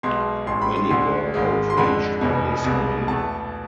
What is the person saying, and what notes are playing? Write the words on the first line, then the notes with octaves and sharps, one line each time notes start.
Many were outraged by this idea.
B1 B2 G#3 C6
A1 A2 G#3 C6
B5
C6
D2 D3 G#3 C6
G#1 G#2 G#3
C6
F2 D3 G#3 B5
F1 E2 B2
C2 B2 G#3
E2 B2 A3 A5